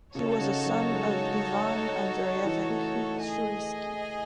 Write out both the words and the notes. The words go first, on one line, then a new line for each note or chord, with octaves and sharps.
He was a son of Ivan Andreyevich Shuisky.
C#3 D#4 F#4 A4 C#5
C#3
F#3
G#3
E3
A3
A3
G#4 D#5 G#5